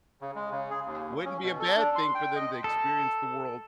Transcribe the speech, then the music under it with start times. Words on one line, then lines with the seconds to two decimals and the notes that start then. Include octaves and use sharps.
wouldn't be a bad thing for them to experience the world
0.22 C#3
0.35 G#3
0.51 C#3
0.70 G#4
0.86 D#2
1.25 C#4
1.43 B2
1.60 A4
1.76 D4
1.95 C6
2.15 G5
2.36 D#5
2.64 A4